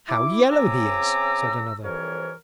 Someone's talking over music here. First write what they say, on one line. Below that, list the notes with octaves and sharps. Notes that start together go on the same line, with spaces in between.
'How yellow he is!' said another.
E4 D6
C#3 C4 G#5 A#5 D6 E6
C2 F2 E3 A#4 C#5